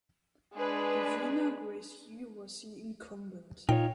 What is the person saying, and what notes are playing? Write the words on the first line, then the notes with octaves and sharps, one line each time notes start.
Divina Grace Yu was the Incumbent.
G#3 D4 G#4 B4
A#2 D#4 F4 C#5 G5